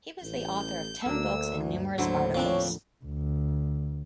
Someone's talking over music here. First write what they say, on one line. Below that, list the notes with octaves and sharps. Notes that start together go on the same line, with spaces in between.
He was the author of ten books and numerous articles.
A1 G6
D2 A#3 D4 E6
G2
D#2 A2 D3 F#3 E4 C5
F3 C4 D4 C#5
D2